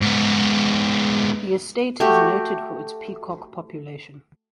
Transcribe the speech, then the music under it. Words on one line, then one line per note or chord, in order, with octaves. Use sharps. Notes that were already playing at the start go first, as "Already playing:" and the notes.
The estate is noted for its peacock population.
G#2 B3
A3 F#4 G4